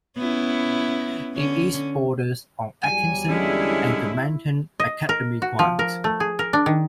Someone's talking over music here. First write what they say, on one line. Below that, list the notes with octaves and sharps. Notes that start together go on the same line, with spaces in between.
The east borders on Atkinson and Gilmanton Academy Grant.
B3 C#4 E4
D3 C#4
E2 F#3 G3 G#5
D3 G#3 C#4 E4
D#5
A#4
F#4
F3
A#4
A3
G#4
A#4
D4
D#3